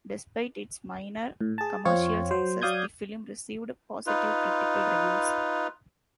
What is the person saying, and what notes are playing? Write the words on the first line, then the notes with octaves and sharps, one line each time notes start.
Despite its minor commercial success, the film received positive critical reviews.
A2
G#4 A5
F2 C4 F4 C#5
F#3 C5
F#3 D5 F5 D#6 G6 G#6
D#4 F4 B4